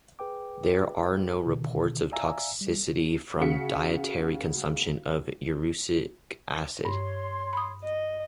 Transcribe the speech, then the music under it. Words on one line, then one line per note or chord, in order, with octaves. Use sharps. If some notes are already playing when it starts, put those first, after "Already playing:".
There are no reports of toxicity from dietary consumption of erucic acid.
G#4 B4 G5 D6
B2 D3 D#3
D5 E5 F5 G#5 A#5 E6
G3
C#3 F#4 B6 C#7
G2 C#5 C6
B5 D#6
D#5